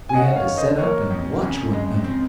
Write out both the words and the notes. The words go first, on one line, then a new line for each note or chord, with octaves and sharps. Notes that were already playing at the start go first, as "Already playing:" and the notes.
We had to set up and watch one another.
G#5
C#4 D#5 F#5
C#5 F5
D#3
C5 D#5
A#3 A#4 C#5
F2
C#3
G#3
C4